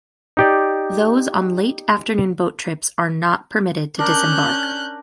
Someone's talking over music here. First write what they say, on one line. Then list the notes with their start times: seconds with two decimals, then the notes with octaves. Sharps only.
Those on late afternoon boat trips are not permitted to disembark.
0.37 D#4 G4 D5
3.99 C#4 D4 A#4 F#6 G6